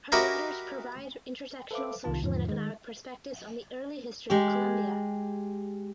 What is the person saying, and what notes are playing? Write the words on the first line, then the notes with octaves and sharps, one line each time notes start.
Her letters provide intersectional social and economic perspectives on the early history of Colombia.
F#4 G4 A#4 B4 D#5 E5
A4 B4 C5 E5 F5 D6
C2 C3 D#3 F4 A5
E2 G#2 D3 F3
D#3 G#3
G#3 G4